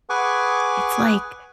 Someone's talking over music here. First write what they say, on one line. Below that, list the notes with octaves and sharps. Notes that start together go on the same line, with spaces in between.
it's like
G#4 B4 F#5 G#5 C#6 D6